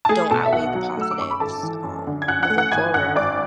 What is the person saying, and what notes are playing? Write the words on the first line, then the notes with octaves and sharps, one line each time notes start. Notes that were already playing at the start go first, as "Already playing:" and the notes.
don't outweigh the positives, um, moving forward.
A5
A3 G#4 G#5
B2 A4 A5
E5
B1 F#5
F#3
A3 E6
D6
F#2 C#6
B5
G#1 A4 A5
E3
F#2
D3
G#6
F#2 F#5 F#6
F#5 F#6
A3
F#5 F#6
G#1 G#5 G#6
F#2 F#5 F#6
G#1 D5 D6